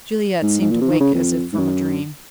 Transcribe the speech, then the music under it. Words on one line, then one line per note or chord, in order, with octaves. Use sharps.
Juliette seemed to wake as if from a dream.
G#2
G#2
A#2
C3
D#3
C#3
F2
G#2
F#2